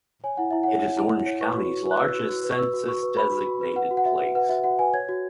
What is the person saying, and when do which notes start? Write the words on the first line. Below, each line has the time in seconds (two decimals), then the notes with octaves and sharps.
It is Orange County's largest census-designated place.
0.24 C#5 G#5
0.37 E4 F#5
0.51 E4 E5
0.63 C#5 F#5
0.82 C#5
0.97 E4
1.12 E4
1.26 C#5
1.41 B4 C#6
1.56 F#4
1.71 F#4
1.86 B4
1.91 F#6
2.00 B4 E6
2.15 F#4
2.29 F#4
2.44 B4
2.51 C#6
2.58 B4 E6
2.73 F#4
2.88 F#4 C#6
3.03 B4
3.17 B4 B5
3.32 F#4
3.47 F#4
3.61 B4
3.76 B4 F#5
3.91 F#4
3.97 F#5
4.05 F#4 E5
4.20 B4
4.35 B4 F#5
4.49 F#4 E5
4.64 F#4 F#5
4.79 B4 G#5
4.94 C#5 G#6
5.09 F#4